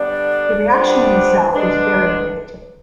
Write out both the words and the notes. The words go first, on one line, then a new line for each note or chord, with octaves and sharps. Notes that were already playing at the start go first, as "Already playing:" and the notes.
The reaction in the South was very negative.
Already playing: D3 G3 B3 D4 D5
G3 B3 D4 F4 C5
D3 G#3 D4 B4